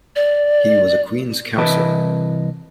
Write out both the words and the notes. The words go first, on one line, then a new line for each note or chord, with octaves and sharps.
He was a Queen's Counsel.
D5
C2 E3 B4 D#5 A5 B5